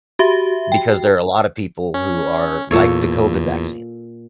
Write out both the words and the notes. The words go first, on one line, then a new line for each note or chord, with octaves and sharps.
because there are a lot of people who are like, the COVID vaccine
F#4 G4 E5
G5
C#4
E2 A#2 A4 C#5